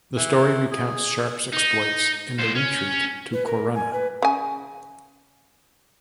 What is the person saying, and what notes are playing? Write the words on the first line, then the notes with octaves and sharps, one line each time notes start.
The story recounts Sharpe's exploits in the retreat to Corunna.
E3
G#4
D#4
A#2 C5
C#4
B4
A#4
G#5
B4
C#3 G#5